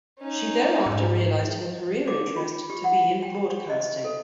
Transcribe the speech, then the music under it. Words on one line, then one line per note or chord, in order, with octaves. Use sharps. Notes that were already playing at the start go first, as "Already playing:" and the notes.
She thereafter realised her career interest to be in broadcasting.
C#4 D#4
G#2
D6
F4
G4
F#5
G5
C#6
D#5
A4